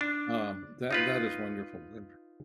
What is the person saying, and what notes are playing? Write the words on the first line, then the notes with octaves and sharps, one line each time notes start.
Um, that that is wonderful, wonder
D4
D#4 F4 B4